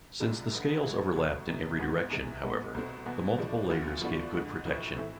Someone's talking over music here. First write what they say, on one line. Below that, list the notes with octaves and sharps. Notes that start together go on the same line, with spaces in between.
Since the scales overlapped in every direction, however, the multiple layers gave good protection.
C2 C3 G#3 D4 F4
F1 F2 D3
A1 A2 G#3
C2 B2 A3
F1 F2 C3
G#1 G#2 E3 G#3 B3
E2 C3 E3 G#3
G#2 G#3 B3
C2 B2 A3 C4
E2 B2 B3
A2 F3 G#3 D4
D2 D3 F3 B3 F4
A2 F3 B3 D4 F4
F2 D3 G#3
B1 A2 F3
E3 A3 C4 E4